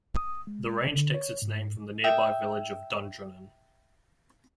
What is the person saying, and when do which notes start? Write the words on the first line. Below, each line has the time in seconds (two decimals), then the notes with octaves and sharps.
The range takes its name from the nearby village of Dundrennan.
0.17 D#6
0.47 G#3
0.87 D3
1.14 C#5
1.42 G#2
2.04 E5 G5 D#6